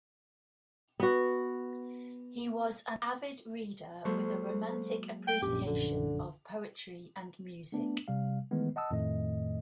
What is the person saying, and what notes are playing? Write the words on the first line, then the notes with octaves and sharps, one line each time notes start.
He was an avid reader with a romantic appreciation of poetry and music.
B3 F#4
F#3 G#3 A#3 A4 C5 C#6
G5
A#1 F#2 G4
D3
A3 B3 D4
C3 G3 F5
D#3 E3 G#3 A3 B3
D#5 F#5 A5 D#6 E6
F2 A2 D#3 A3 D#5